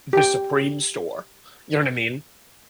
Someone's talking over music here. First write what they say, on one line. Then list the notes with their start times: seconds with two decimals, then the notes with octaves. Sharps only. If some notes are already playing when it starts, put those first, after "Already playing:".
the Supreme store, you know what I mean?
0.13 G4 G5